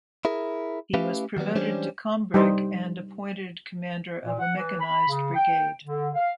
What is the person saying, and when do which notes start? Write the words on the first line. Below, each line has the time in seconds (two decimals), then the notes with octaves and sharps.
He was promoted to kombrig and appointed commander of a mechanized brigade.
0.25 E4 G#4 A#4
0.94 A3 C#4 E4 G4 B4 F5
1.37 D#3 F#3 G3 B3
1.55 E3 G3 G#3 C#4 D4 C5
2.34 G3 D#4 C5
4.25 A#2
4.40 F#5
4.56 E3
4.81 B5
5.08 C#3
5.35 G5
5.84 D3
6.15 F5